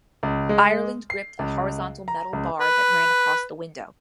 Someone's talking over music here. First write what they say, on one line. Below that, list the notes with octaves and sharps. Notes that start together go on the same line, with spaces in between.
Ireland gripped a horizontal metal bar that ran across the window.
C#2
G#3
C7
C#2
A#5
C#2
B4